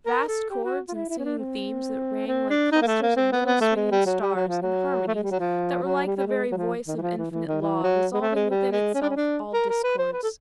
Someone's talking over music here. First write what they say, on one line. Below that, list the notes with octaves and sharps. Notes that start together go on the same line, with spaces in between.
Vast chords and singing themes that rang like clusters of little swinging stars and harmonies that were like the very voice of infinite law resolving within itself all discords.
A#4
A4
G4
F#4
F4
E4
E4
C#4
D4
C4
C4
D4
D#4
A#3
A3
A#3
C4
B3
B3
A3
G#3
G3
F#3
G3
F#3
F3
F#3
A3
G#3
G3
F#3
F3
F#3
G3
G3
G#3
F#3
F3
D#3
E3
F3
E3
E3
D#3
E3
F#3
G#3
A3
G#3
G3
G#3
C#4
D4
C#4
D4
A#4
A#4
B4
C5
B4
A4